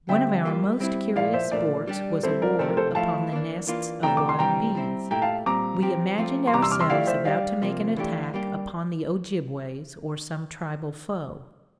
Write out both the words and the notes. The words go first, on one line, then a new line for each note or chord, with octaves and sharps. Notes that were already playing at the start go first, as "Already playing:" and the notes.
One of our most curious sports was a war upon the nests of wild bees. We imagined ourselves about to make an attack upon the Ojibways or some tribal foe.
D3 G3 C4 E5 G5
G3 A#3 F4
G3 C4 E4
A#2 F3 A#3 E4 D5 F5
C5 E5
A#2 F3 A3 D4 A#4 D5
G3 D4 G4
G3 C4 E4 A4 C5
A#4 D5
C3 F3 A3 C4 A4 C5
A#4
A4 C5
F3 A3 E4 F5 A5
E3 A#3 D4
E3 A#3 D4 F4
C3 E3 A3 D4 G5 A#5
D6
C6
C3 E3 G3 D4 G5 A#5
G3 C4 E4
A#2 A3 E4 G4 G5 A#5
F5 A5
A#2 G3 C4 A#5 D6
F3 C4 G4
F3 A3 C4 F4
C6
C3 E3 G3 A#5 D6
C6 E6
D6 F6
C6 E6
F3 A3 E4 G4 D5 F5
C5 E5
G3 D4 G4 D5 F5
C3 F3 A#3
E3 A3 D4 G4
G3 A#3 D4 G4